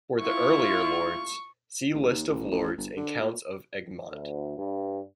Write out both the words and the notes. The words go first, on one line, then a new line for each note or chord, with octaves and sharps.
For the earlier lords, see List of Lords and Counts of Egmont.
E4 F4 C#6
A1
D#2
A1
A1
G1
D3
A#2
D2
G2